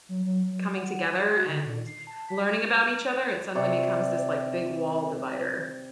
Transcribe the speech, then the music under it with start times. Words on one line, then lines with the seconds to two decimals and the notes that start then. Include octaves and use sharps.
coming together and learning about each other, it suddenly becomes this like big wall divider.
0.09 F#3
0.25 F#3
0.53 F#3
0.75 F#5
1.20 G#4
1.37 F#4
1.49 D3
1.66 A#2
1.86 C7
2.07 A5
2.29 B6
3.55 C3 D5 C#6